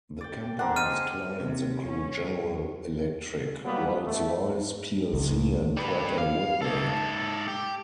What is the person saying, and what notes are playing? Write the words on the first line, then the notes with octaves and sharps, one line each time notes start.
The company's clients include General Electric, Rolls-Royce plc and Pratt and Whitney.
D5 G5
A#3 C4 D4 F#5
C#3 G#3 F6 D#7
C3
C#4
F#3 G3 A#3 B3
A3
C#2
G3 B4
F5
G#2 A4
G4